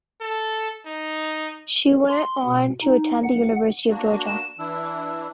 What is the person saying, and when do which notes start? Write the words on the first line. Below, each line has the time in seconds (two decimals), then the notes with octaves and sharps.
She went on to attend the University of Georgia.
0.21 A4
0.86 D#4
2.09 C6
2.46 B2
2.83 D#4
3.24 F#5
3.89 A#3 D4 F#4
4.27 E7
4.59 E3 D4 E4 E6